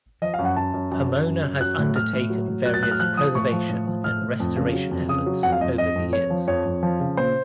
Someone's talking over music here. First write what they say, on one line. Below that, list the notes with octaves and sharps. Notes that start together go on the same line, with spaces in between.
Pomona has undertaken various preservation and restoration efforts over the years.
F3 D#5
F5
F#2
F#5
F#2 A5
F#2
F#2
F#2
F#2
F#2
F#3 F#6
A2
A2 F6
A2
F#3
A2
F#3 F#6
A6
A2 F#6
F6
F3 F#6
F3 D#6
A2 C#6
F3
A2
F3
A2 F6
A2
F2
C#3
F#3
F2
C#3 D#6
F#3
F2 F#5
F5
F2 D#5
F2 D#5
F2
F2 C#5
F3
F2 C#5
F2
F3
C#3
A#2 C5